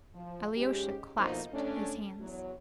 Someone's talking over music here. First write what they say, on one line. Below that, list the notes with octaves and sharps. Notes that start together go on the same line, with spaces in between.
Alyosha clasped his hands.
F3
G#2 G#3 C#4 G4
D2 B2 F3 A#3 D#4 C5
A3 C#4 D4
E2 F#3